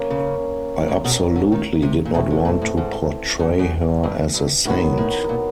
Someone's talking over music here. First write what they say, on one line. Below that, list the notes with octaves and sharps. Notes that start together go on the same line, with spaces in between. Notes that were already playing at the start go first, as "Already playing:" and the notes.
I absolutely did not want to portray her as a saint.
Already playing: A#3 C#4
C#3
A2
B2
D3
D#3
C3
A#2
B2 E3 A3 C4
C3
A#2
A2
G#2
F#2
F#2
G2
G2
A2 D#3 F#3 B3
A2
A#2